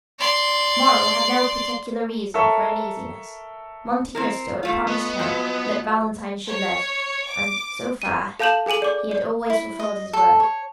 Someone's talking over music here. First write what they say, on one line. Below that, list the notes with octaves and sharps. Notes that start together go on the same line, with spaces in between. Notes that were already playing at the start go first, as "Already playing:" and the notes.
Morrel had no particular reason for uneasiness; Monte Cristo had promised him that Valentine should live, and so far he had always fulfilled his word.
D5 C6
A4 A#4 C#5 E5 C#6
C4 E4 A#4
G#2 A3 F4
B3 D#5
F3 F#3 E5
C#5
D6
D#7
A4 F5 A5 G6 E7 F#7
G#4 A4 G#5 D#7 F#7
D5 D6
D5
E4
D#5
A4
C#5